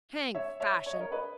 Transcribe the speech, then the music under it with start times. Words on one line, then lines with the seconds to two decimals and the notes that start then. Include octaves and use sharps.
'Hang fashion!
0.35 C#5 E5
0.60 C#5 E5
0.86 C#5
0.93 D#5
1.01 A#4 C#5
1.12 B4 D#5